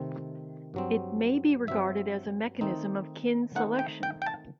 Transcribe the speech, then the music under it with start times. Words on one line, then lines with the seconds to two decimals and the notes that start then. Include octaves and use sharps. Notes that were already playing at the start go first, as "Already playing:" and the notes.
It may be regarded as a mechanism of kin selection.
Already playing: C3 D#3 A3 C4
0.74 G2 F#3 C4
1.67 G2 F#3 C4 E5
2.61 D#3 A3 C4 D#4
3.55 D#3 A3 C4 D#4 F#5
3.79 G5
4.03 G5
4.22 G5
4.26 A5